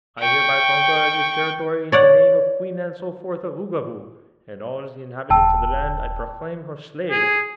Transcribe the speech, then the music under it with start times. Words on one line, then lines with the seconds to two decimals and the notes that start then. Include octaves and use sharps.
"I hereby conquer this territory in the name of Queen Ann Soforth of Oogaboo, and all the inhabitants of the land I proclaim her slaves!"
0.19 G5 C#6
1.92 C#5 D5 F#5
5.30 D#1 G5 A5 E6
7.11 G#4